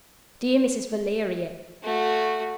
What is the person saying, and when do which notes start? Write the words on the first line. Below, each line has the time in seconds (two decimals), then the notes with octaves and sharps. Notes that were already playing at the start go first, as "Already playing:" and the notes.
Dear Mrs. Valeria!
1.83 A3 F#4